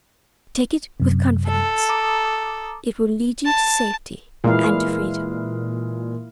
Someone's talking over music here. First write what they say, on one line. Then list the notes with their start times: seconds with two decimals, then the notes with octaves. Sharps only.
Take it with confidence--it will lead you to safety and to freedom.
1.00 F#2 C3
1.47 A4
1.89 A#5 D6 D#6
3.44 A5
4.44 A#2 E3 G#3 A#3 E4 F5